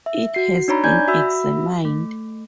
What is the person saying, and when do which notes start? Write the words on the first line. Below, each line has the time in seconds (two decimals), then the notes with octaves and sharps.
It has been examined.
0.06 E5
0.34 F#4 C7
0.68 D4 D#4 C#5 A#5 B5
0.84 D5 G#5 G6 G#6
1.08 F#4 E5 B5 E6
1.85 A3